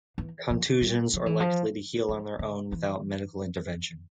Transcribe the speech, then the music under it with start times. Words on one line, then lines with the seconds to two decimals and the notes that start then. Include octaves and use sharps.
Contusions are likely to heal on their own without medical intervention.
0.18 E3
0.50 F3
0.81 G3
1.14 F3
1.26 E3
1.40 F3
2.09 F3
2.39 D3
2.72 E3